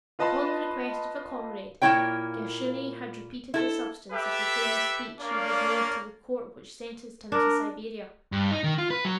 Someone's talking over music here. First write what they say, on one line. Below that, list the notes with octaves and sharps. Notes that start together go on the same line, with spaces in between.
Upon the request of a comrade, Gershuni had repeated the substance of the famous speech he had made to the court which sentenced him to Siberia.
F4 B4 D#5 A5 B5 C6
A#2 A#3 C4 E4 C#5 G5
E4 A4
G4 A4 B4 E5
A#3 D4 C#5 D5 F5
D4 A#4
G2
D#4
D#3
F4
B4
F#3